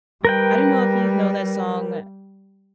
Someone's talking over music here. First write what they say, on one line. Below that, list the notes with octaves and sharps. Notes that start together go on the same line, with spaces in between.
I don't know if you know that song,
G3 A#4 B4 G5